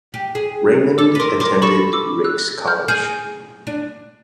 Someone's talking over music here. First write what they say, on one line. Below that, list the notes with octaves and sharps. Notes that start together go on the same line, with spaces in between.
Raymond attended Ricks College.
G4
G#4
A4 D6 E6
B4
A#4 C6 D6
A#4 C6 D6
A4 B5 C#6
D6 E6
E6 F#6
F6 G6
G#4 F6 G6
D4